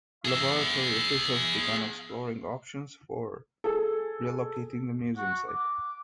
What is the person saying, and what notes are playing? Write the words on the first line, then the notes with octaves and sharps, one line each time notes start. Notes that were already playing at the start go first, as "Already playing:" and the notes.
Laboratory officials began exploring options for relocating the Museum site.
G#4 E5
G#4 A4
F#4
D6